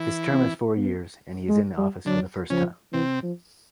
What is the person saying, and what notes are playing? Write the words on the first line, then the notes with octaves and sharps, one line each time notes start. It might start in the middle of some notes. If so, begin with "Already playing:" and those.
His term is four years, and he is in office for the first time.
Already playing: E3 E4
C4
B3
G#3
G3
D3 F#3 D4
C#3 F3 C#4
C3 E3 C4
F3